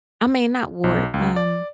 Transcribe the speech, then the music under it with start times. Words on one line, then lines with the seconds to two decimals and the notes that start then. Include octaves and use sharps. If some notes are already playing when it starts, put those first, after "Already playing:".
I mean, not Ward, um
0.84 B1
1.14 C#2
1.36 D5